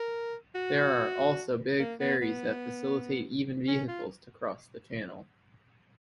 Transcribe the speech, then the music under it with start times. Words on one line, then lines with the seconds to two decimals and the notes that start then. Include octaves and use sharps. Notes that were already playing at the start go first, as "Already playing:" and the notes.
There are also big ferries that facilitate even vehicles to cross the channel.
Already playing: A#4
0.55 F#4
1.79 A#3
2.00 B3
2.22 B3
3.67 C#4
3.88 F4